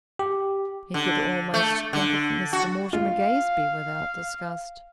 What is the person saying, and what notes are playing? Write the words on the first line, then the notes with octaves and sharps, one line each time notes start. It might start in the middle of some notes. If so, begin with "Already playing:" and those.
He could almost think of Mr. Mortimer Gazebee without disgust.
G4
D3
A3
D3
F#4
F4 F5